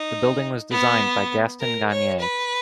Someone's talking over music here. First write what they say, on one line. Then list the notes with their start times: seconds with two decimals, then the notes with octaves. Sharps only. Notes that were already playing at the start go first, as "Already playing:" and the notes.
The building was designed by Gaston Gagnier.
Already playing: D#4
0.71 B3
1.61 A#4
1.91 C#5
2.20 B4